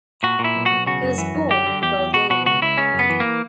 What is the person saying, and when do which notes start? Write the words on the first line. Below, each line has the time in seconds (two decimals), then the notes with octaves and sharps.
He was born in Bulgaria.
0.23 A#2 F#4
0.39 A#2
0.44 E4
0.55 B1
0.66 B1 F#4
0.87 C#3 F#4
1.02 F#2
1.18 E3
1.35 F#2
1.50 D3 G4
1.67 D3
1.82 E2 G4
1.98 E2
2.14 B2 F#4
2.30 B2 F#4
2.46 C#2 F#4
2.62 C#2 E4
2.78 C#3 C#4
2.94 F#2
2.99 B3
3.10 E3
3.20 A#3